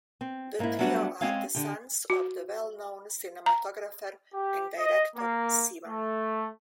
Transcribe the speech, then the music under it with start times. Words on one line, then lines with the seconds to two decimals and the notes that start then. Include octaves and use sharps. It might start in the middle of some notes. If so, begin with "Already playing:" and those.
The trio are the sons of the well known cinematographer and director Sivan.
0.21 C4
0.59 G#2 A#3 C4 C#4 E4
0.79 F#3 G3 A3 B3 D4 F#4
1.21 G#3 C4 C#4 C#5 F5
1.55 D3 G4
2.10 F#4
3.46 A#5
4.34 G4
4.78 D#5
5.16 A#3
5.88 A3